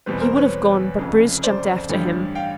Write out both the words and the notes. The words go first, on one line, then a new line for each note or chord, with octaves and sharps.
He would have gone, but Bruce jumped after him.
E2 B2 G3 C4 B4
A#4 C5
B4 C#5
F1 F2 C#3
C5 D5
A1 G2 D3 G3
F5 G5